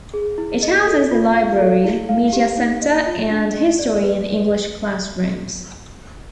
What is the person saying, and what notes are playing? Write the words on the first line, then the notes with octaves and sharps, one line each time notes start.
It houses the library, media center and history and English classrooms.
G#4
E4
D#5
A4
F4
F5
A4
E4
F5
G4
D#4
D#5
F4
D4
D#5
D5
B4